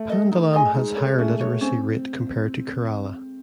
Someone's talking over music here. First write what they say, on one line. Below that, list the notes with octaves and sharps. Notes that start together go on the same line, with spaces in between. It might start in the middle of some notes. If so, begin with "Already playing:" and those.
Pandalam has higher literacy rate compared to Kerala.
Already playing: A3
A4 D#5
D#4
G#4 D#5 G#5
G#3 D#4
A4 C#5
A3 C#4
F#4 C#5
C4 C#4